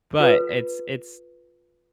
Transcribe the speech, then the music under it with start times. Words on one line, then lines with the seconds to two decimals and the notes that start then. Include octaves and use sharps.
but it's it's,
0.20 F4 A4 B4